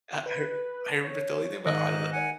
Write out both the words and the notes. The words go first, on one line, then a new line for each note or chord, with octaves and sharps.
uh, I r I remember the only thing about Out of the
B4
C#5
G#2 D#3 D#5 F#6
F#5 G#5